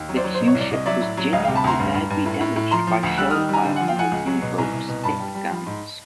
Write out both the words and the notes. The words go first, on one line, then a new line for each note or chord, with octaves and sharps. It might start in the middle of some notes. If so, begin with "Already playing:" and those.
The Q-ship was genuinely badly damaged by shellfire from the U-boat's deck guns.
Already playing: D#2
F#3
C5 D5
F#3
C5
B2
C#5
C2
D5
C2 D#5
F#3 D5 E5
A2
F#3
D2 D#5 F5
C3 F5 G5
A5 B5
D2 A#5 C6
G2
G2
G2
A2
A2
A2
F3 A#5 C6
F3
D2
G3 E6 F#6
D#3 D#6 F6
G3 G#5 A#5
D3
F3 F#5 G#5
F5 G5
F3 F#5 G#5
C#2
F#3
B2
C2 G#5 A#5
C2
B2
G2 A5 B5
G3
G3
F3
G#2